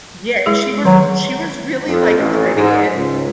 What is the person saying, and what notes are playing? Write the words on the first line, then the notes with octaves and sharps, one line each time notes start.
Yeah, and she was a she was really, like, pretty and
G#3 E4 G#4
D#3 F#3
F2
A1
G#2
C#2